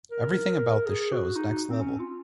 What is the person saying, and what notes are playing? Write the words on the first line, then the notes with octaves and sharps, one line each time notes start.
Everything about this show is next level.
A#4
G#4
F#4
D#4
C4
C#4
F4